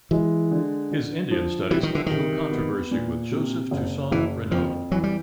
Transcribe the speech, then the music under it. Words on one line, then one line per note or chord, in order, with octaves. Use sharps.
His Indian studies led to a controversy with Joseph Toussaint Reinaud.
E3 G#3
D3
D3
F3
E3 G3
D#3
D3
C2 D#3
B3
A#2
C3
F#1
F#1 E3
F2 F3
E3 F#3
G3